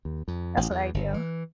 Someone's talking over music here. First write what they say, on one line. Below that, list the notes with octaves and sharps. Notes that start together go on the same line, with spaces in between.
that's what I do.
D#2
F2
A1
E2
G1
E3